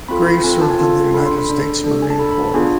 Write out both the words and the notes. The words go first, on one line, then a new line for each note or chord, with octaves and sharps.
Gray served in the United States Marine Corps.
C4 F4 A4 B5
B5
C4 F4 A4 G#5
A5
G#5
C4 F4 A4 A5
D4 A4 B5
C6
B5
D4 A4
D4 A4
G#5
A5
D4 A4 B5
B5
A5
B3 D4 F4 G#4 G#5